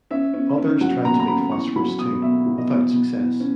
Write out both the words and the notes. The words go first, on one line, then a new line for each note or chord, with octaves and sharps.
Others tried to make phosphorus too, without success.
C#4 E5
C#4
C#4
F#3 F#5
A#2 A#5
A#5
C#4 B5
E2 C#6
F#3 B5
B2 D#6
B2 E5
F#3
D#5
B2
B2
E2
C#4